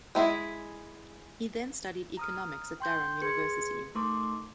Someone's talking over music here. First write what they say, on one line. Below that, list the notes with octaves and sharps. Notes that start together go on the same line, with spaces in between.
He then studied Economics at Durham University.
G#3 E4 G#4
A#5 D#6 F6
G5 C6 G6
G#4 B4 C6 G#6 C#7
A3 D#4 A#4 C6 D6